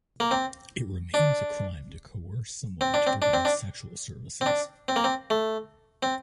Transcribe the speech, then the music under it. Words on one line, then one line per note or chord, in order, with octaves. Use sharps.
It remains a crime to coerce someone to provide sexual services.
A#3
C4
D4
C4
D4
C4
D4
C4
D4
C4
D4
C4
A#3
C4
A3
C4